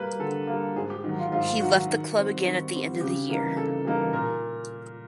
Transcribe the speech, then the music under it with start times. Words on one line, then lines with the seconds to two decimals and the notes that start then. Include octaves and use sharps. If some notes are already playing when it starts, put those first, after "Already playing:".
He left the club again at the end of the year.
Already playing: G3 A#3 B4
0.20 D3 A4
0.47 G3 A#3
0.76 G#2 G#4
0.90 G4
1.04 D#3 F#3
1.18 F4
1.32 G#2 F4
1.60 D#3 F#3 F#4
1.89 D#3
2.17 G3 C4
2.44 D#3
2.73 G3 C4
3.01 C#3 G4
3.29 E3 G3 A#3 D#4
3.57 C#3 A4
3.85 E3 G3 A#3 D#4
4.13 A#2 A#4